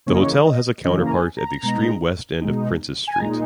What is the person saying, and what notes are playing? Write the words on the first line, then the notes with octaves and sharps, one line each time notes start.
The hotel has a counterpart at the extreme west end of Princes Street.
C#3 E3 A#3 C#4 C#5
D#5
C#5
D#5
C#3 E3 A#3 C#4 D#5
A#5
G#5
A#5
B2 G#3 D#4
B2 G#3 D#4
G#5
A#2 G#3 D#4 A#5